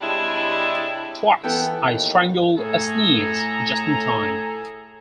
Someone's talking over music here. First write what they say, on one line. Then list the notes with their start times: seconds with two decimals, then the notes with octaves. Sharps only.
Twice I strangled a sneeze just in time.
0.01 C3 G3 G#3 D4 E4 C#5
1.44 E3 B3 A4 G5
1.79 D#2
2.58 A2 G#4 A4 A#5